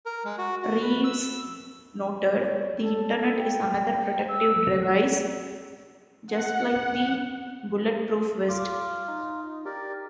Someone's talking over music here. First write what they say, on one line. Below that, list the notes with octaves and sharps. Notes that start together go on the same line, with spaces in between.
Reeves noted: The Internet is another protective device, just like the bulletproof vest.
A#4
G#3
F#4
F#4
B4
E6
C#5
A4
G5
E6
F#5
F4 D6
D#4
G4 A#4 D5